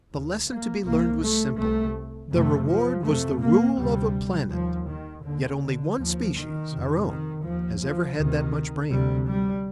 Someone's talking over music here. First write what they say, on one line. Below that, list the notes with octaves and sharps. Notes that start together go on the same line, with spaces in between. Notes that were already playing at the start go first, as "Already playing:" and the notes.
The lesson to be learned was simple: the reward was the rule of a planet. Yet only one species, our own, has ever had that much brains.
D#2
A#3
C2 C3 A#3
A3
C2 C3 A3
F2 C3 A3
F3
F2 C3 A3
A#3
D2 C3 G3
D#2 F3
D#3
D#2 D3
D3
D#2 F3
D#3
F2 C3
D#3
D#2 F3
F3
D2 C3 D#3
D2 C3 G3
G3